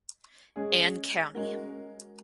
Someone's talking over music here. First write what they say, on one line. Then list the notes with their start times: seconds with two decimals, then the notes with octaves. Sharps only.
Anne County.
0.56 G#3 C#4 G#4
1.35 G#3 C#4 F#4 A#4